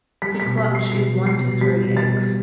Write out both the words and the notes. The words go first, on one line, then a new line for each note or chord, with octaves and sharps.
The clutch is one to three eggs.
G3 B6
B6
B2
B6
G3
C7
B2 C7
G3
C7
B2
G3 B6
B2
A6
G3